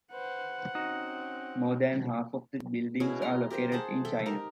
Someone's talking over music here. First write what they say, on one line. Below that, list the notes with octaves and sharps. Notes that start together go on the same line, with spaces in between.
More than half of the buildings are located in China.
B4 C5 F#5
C4 C#4 D#4 F#4
B2 C#4 E4 G#4
A#5 C6
G4 A#4 C5 G5
G#4 C5 F#5 A5
A4 E5 G5
D#4 G4 A#4